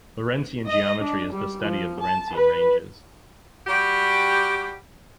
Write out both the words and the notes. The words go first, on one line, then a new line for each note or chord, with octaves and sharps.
Lorentzian geometry is the study of Lorentzian ranges.
D#5
D4
G3
F3
A5
B4
G3 F#4 G4